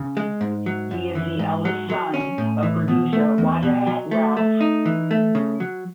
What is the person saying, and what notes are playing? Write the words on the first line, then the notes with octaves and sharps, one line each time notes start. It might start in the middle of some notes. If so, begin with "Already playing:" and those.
He is the eldest son of producer Wajahat Rauf.
Already playing: C#3
G#3
G#2
F#3
F#2
E3
G#2
F#3
F#3
C#4
A2
E3
B2
A3
E2
B2
F#3
A3
A3
D#4
E3
A3
C#3
F#3